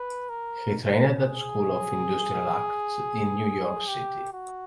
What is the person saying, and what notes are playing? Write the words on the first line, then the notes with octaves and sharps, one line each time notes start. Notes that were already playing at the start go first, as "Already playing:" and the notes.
He trained at the School of Industrial Arts in New York City.
Already playing: B4
A#4
G#4
G4
F#4